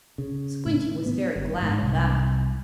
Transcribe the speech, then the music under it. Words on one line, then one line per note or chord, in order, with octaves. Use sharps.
Squinty was very glad of that.
C#3
A2
B3
G1
G#2
C2